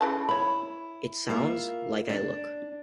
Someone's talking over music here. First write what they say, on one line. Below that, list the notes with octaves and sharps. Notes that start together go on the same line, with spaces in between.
It sounds like I look.
C#3 E3 A5
E4 C#5 B5
A#3 F4 E5
D4